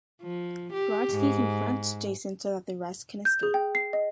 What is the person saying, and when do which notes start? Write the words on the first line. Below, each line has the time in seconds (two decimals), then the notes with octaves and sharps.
Brodski confronts Jason so that the rest can escape.
0.22 F3
0.73 G4
1.11 G#2
3.25 G6
3.43 G#4
3.54 G5
3.75 C7
3.93 D#5